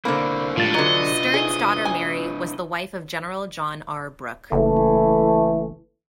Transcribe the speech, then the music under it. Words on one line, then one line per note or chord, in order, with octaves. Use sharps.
Stearns' daughter Mary was the wife of General John R. Brooke.
D3 A#3 C4 E4 C5 B5
A2 F3 G3 G#3 F4 A6
D3 F#3 D4 E4 B4 D#5
G#4
G#5
F#1 E3 A3